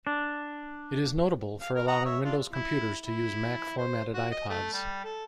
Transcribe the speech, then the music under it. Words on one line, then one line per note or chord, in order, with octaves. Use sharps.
It is notable for allowing Windows computers to use Mac formatted iPods.
D4
F5
A#4
F#5 A#5 D#6
C#5 E5
D4 F4
E4
E4
C5
F#4
D#5
A3
G3
A4